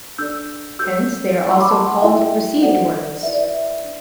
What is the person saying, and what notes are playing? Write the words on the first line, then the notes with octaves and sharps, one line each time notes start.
Hence they are also called received words.
D4 A4 D5 E6 G6
F#4 A4 C5 E6 G6
E4 A4 D5
C6 E6
B5 D6
A5 C6
F#5 A5
E4 A4 D5 E5 G5
F#4 A4 C5 D5 F#5
E4 B4 D5 E5
D5
E5
D4